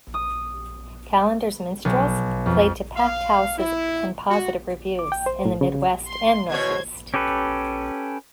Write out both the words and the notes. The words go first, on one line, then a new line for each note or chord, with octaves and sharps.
Callender's Minstrels played to packed houses and positive reviews in the Midwest and Northeast.
D#6
B1
F2
F5
E4
F#4
D6
G5
C5
A2
C#3
C6
E2 B2 C5 C#5 G#6
C#4 G4 A4 B4